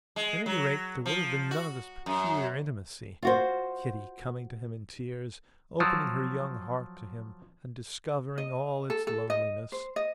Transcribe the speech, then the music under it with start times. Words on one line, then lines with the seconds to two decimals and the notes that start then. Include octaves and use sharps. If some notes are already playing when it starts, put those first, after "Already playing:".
At any rate, there would have been none of this peculiar intimacy--Kitty coming to him in tears, opening her young heart to him and discovering all its loneliness.
0.16 G#3
0.46 F#3
1.06 F3
1.51 F#4
2.06 F#2
3.23 F4 F#4 C5
5.80 F3 F#3
8.38 D#5
8.90 A4
9.07 A4
9.30 D#5
9.72 C5
9.96 D#5